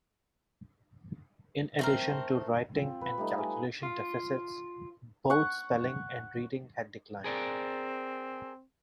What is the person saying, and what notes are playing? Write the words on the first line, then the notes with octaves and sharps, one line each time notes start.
In addition to writing and calculation deficits, both spelling and reading had declined.
A3 C4 A#4
C4 F4
B4 B5
G3 A3 D#4
G#5
F4
F#5 C#6
C4 G#4 A#4 D5